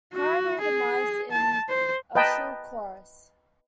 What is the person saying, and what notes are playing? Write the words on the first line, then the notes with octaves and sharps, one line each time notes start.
Cried all the mice, in a shrill chorus.
F#4
G#4
A5
C5
B4 D#5 G5 A5 A#5